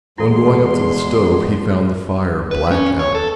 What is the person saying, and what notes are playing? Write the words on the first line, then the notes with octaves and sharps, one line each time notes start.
On going up to the stove he found the fire black out.
E2 G#3 E4 A4 C6
B4
C#4
C#5
A4